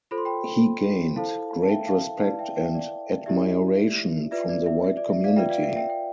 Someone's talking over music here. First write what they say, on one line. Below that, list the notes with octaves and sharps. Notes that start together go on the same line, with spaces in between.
He gained great respect and admiration from the white community.
F4 A4 C5 B5
C6
G5 B5
E4 A4 C5 F5 A5
A5
E5 G5
F5 A5
E4 B4 D5 F5 A5
E5 G5
E5 G5
D5
E4 G4 D5 E5
F4 B4 D5 E5
D5
E5
E5
D5
E5
D5 F5
F4 B4 D5 E5 G5
D5 F5
E5
E5 G5
E5 G5